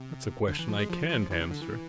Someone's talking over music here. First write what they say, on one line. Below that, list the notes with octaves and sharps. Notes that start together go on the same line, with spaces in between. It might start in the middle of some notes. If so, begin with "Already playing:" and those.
That's a question I can't answer.
Already playing: C3
D3
E3
F3
G#3
F3
F3
E3
C3
D3
E3